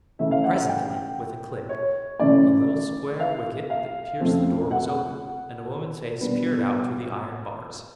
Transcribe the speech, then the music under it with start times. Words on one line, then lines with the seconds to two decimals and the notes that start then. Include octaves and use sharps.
Presently, with a click, a little square wicket that pierced the door was opened, and a woman's face peered out through the iron bars.
0.19 C#3 E3 A3 C#4 E5
0.31 F5
0.44 F#5
0.57 F#5
0.69 G5
1.69 C#5
2.20 F#2 C#3 E3 A3 C#4 D5
3.20 F5
3.70 F5
4.20 F2 C#3 F3 A3 C4
4.71 F#5
6.21 B2 G3 B3 D4